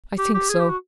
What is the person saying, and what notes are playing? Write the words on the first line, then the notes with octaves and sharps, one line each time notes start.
I think so.
G4
G4
G#4
G4
F#4